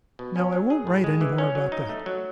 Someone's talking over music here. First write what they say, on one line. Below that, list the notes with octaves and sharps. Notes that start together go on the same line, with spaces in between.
Now I won't write any more about that.
B2
C#4
F#3
G#4
A2
G#3
E3
C#4
F#3
D#4
A3
F#3